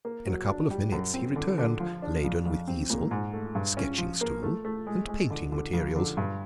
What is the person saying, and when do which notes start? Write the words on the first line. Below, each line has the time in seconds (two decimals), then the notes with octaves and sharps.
In a couple of minutes he returned, laden with easel, sketching-stool, and painting materials.
0.05 A#3
0.27 F#3
0.48 D4
0.70 G3
0.92 F#2
1.14 C4
1.36 D3
1.58 D3
1.80 F3
2.02 D4
2.24 F2
2.46 F2
2.68 C4
2.90 A#2
3.11 G#2
3.33 A3
3.55 G2
3.77 C#4
3.98 F3
4.21 A#3
4.43 A3
4.65 A3
4.87 G#3
5.08 G#3
5.30 D3
5.52 D3
5.73 F2
5.96 D3
6.17 G2